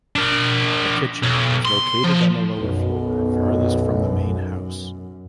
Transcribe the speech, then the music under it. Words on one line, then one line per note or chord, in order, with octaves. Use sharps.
A kitchen is located on the lower floor farthest from the main house.
D4 A#4
B1
C6
F3
B1 F#2 B2